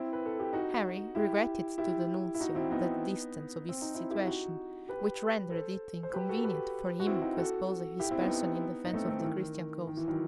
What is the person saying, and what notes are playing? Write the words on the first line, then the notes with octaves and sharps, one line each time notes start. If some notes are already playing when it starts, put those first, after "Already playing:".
Henry regretted to the nuncio the distance of his situation, which rendered it inconvenient for him to expose his person in defence of the Christian cause.
Already playing: C4 E4
B4
A4
G4
D#4 F#4
E4 G4
E4 G4
E4
D#4 F#4
C4 E4
B3 D#4
C4
D#4
C4 E4
E4 G4
G4
D#4 F#4
G4 B4
A4 C5
C5
G4 B4
F#4 A4
G4 B4
F#4
C4 E4
D#4 F#4
F#4 A4
E4 G4
C4 E4
B3 D#4
D#4
A3 C4
A3 C4
E3
D#3
D#3
E3
D#3 F#3